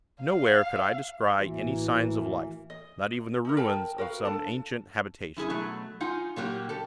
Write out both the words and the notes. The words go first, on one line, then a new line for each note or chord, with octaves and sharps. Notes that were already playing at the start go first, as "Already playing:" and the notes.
Nowhere could I descry any signs of life; not even the ruins of some ancient habitation.
F5
A1 E3 A#3 F#4
D#5
D#4 E4 A#4
A#4 G5 A5
F#4 A#4 B4 F5
D4 A4 A5
F#2 E4 G#4
B2 F#3 A3
D#4 F4 F#5 G#5
A#2 F#3 A#3 G4
G4 A4